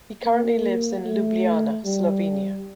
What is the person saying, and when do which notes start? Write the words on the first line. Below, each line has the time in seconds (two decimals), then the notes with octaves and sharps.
He currently lives in Ljubljana, Slovenia.
0.23 A#3
1.04 A3
1.84 G3